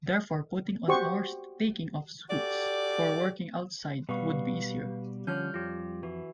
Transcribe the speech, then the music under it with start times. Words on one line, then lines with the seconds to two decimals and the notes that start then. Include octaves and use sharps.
Therefore putting on or taking off suits for working outside would be easier.
0.88 F#4 G4 C5 C#6
2.30 F#4 G4 A4 D5
4.09 B2 G3 B4 F5 C#6
5.27 D3 F3 C#4 C#5 F6 G6
5.54 F2 F4 G4
6.03 E3 F#4